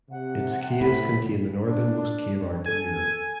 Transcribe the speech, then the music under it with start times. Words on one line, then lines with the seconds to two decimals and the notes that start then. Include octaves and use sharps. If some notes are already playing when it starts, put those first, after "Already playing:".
Its caves contain the northernmost cave art in Europe.
0.11 C3 F#5
0.81 A2 B5
1.66 D4
2.66 A4 G#5